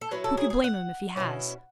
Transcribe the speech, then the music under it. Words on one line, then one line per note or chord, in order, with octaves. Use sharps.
Who could blame him if he has?
A4
F#3 C#4 E4 B4
A4
G#4
G#4
F#5
B2 F#3 C#4 E4